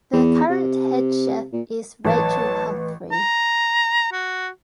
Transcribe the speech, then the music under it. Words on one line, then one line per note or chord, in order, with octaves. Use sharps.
The current head chef is Rachel Humphrey.
E2
C3
A#2
A1 F#3 B4 A5
A#5
F#4